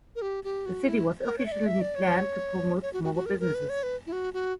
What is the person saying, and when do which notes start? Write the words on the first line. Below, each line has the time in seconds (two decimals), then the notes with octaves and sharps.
The city was officially planned to promote small businesses.
0.16 A#4
0.22 G4
0.44 G4
0.66 F#4
0.87 E4
1.23 A#4
1.38 C#5
1.46 E5
1.52 D5
1.66 E5
1.81 D5
1.95 C#5
2.82 C#5
2.93 F#4
3.04 F#4
3.15 F#4
3.26 A#4
3.40 A#4
3.54 B4
3.69 C#5
3.83 B4
4.07 E4
4.12 F#4
4.33 F#4